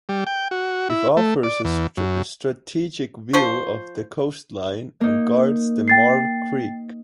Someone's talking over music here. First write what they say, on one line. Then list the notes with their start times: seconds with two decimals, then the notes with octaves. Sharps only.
It offers a strategic view of the coastline and guards the Marve Creek.
0.09 G3
0.27 G5
0.51 F#4
0.90 E4
1.17 A3
1.43 D5
1.65 E2
1.97 F#2
3.33 F3 C5 C#6
5.01 A#3 D#4
5.88 G5 A6 C7